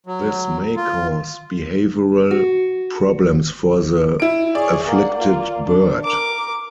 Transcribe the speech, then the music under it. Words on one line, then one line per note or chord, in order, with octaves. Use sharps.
This may cause behavioural problems for the afflicted bird.
F#3
F4
F#4
E4 D7
G#4 C#5 D5
A#3 F#5
A#3 F4
D4
A#4 D6